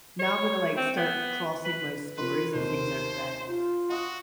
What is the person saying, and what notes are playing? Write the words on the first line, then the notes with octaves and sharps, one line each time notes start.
now I'm gonna, like, start crossing my stories of things I've read,
C#5
C4
B3
B4
F3 A#4 B4 C6
D#2 C3 C5
F4
F#4 F5 D#6